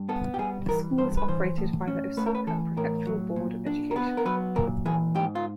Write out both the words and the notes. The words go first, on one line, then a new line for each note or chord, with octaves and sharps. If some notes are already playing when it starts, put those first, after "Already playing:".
The school is operated by the Osaka Prefectural Board of Education.
Already playing: G2
B3 A4
G4
G3 G#4
E3 A#4
G2 C5
B4
E3 C5
A2
C#4
A3 B4
A#4
B4
E3 A4
A2 A#4
F#3
A#2
D4
A#4
B3 B4
A#4
F#3 B4
A#2 A#4
E3 G#4
G#2 G4
F4